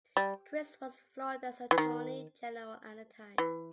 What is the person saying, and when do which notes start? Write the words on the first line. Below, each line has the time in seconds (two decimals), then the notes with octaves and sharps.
Crist was Florida's Attorney General at the time.
0.17 G3
1.71 E3
1.78 D#3
3.38 E3